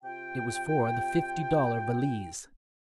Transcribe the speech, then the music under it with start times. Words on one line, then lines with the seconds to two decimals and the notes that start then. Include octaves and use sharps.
It was for the fifty-dollar valise.
0.03 C3 F4 G5